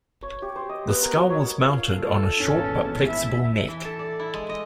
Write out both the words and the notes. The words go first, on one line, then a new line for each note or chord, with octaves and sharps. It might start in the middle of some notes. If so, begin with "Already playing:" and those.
The skull was mounted on a short but flexible neck.
C#5
G4
C5
D#5
B3
A#4
F#3
C#5
F4
A4
G#1 E2 A#2 C#4 A5
E4 E5
E3
A4
D5
E4
G#3
D#5